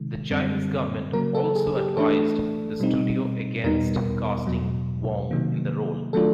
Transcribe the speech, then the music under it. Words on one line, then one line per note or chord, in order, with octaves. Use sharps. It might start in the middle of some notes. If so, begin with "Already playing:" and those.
The Chinese government also advised the studio against casting Wong in the role.
Already playing: C3 D#3 G#3
F#2 D3 G3 C4
C#3 F#3 A#3 A#4
A4
G#4
G4
E3 A3 D4 A4
B2 G3 C4 D#4
E2 B2 G3 B3 D#4 A#4
E2 B2 F#3
C3 D#3 F#3 A#3
D#3 F#3 A3 D4 F4 A4